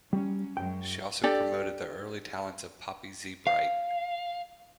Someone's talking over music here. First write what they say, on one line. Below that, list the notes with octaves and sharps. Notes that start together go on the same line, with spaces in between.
She also promoted the early talents of Poppy Z. Brite.
F#3 G3 C#4
F#2 F#3 G#3 G5
D4 G4 A4 D5
F5